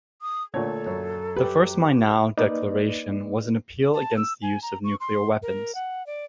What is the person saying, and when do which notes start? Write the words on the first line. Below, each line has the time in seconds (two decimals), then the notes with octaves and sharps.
The first Mainau Declaration was an appeal against the use of nuclear weapons.
0.22 D#6
0.54 A#2 D3 A3 A4 C#5 G#6
0.86 F#2 A#4 C#5
1.37 G4 B4
2.38 A#3 D#4 B4 D5 D#5
3.94 A5
4.17 E6
4.42 G#5
4.62 A#5
4.84 C#6
5.00 C6
5.42 A#4
5.75 F#5
6.06 D5